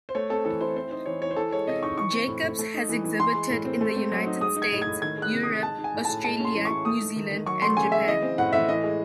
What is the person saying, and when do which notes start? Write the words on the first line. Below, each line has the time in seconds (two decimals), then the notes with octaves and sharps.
Jacobs has exhibited in the United States, Europe, Australia, New Zealand and Japan.
0.09 C5
0.15 A3 C#5
0.30 C4 A4
0.45 E3 A4
0.61 E4 C5
0.76 C4 C5
0.91 D#4 C5
1.06 E3 C#5
1.21 E3 C#5
1.31 C5
1.36 E3 A4
1.52 G#3 C#5
1.67 C3 D#5
1.83 D#4 C#6
1.97 E3 C#6
2.13 C4
2.28 A2
2.43 A2
2.59 A3
2.74 D#4
2.89 E3
3.04 E3
3.20 E3 C6
3.35 G#3
3.50 A2
3.65 C4
3.81 A3
3.96 C4
4.11 F#3
4.26 D#4
4.41 G#3 D#6
4.56 D#4
4.62 G#6
4.72 A2
4.82 G#6
4.87 A2
5.02 D#3 G#6
5.17 G#3 F#6
5.33 C3
5.43 D#4 D#6
5.63 G#3 A5
5.78 D#4
5.84 G#5
5.94 A2
6.05 A2 A5
6.24 G#3 A5
6.40 C#4 C6
6.55 E3
6.65 E4 C#6
6.85 A3 D#6
7.01 D#4
7.16 D#3
7.31 D#3
7.46 F#3 C#6
7.62 A3 C6
7.77 C#3 G#5
7.92 C#3 E5
8.07 E3 D#5
8.22 C4
8.38 A2 F#5
8.53 A2 E5
8.69 E3 D#5
8.84 G#3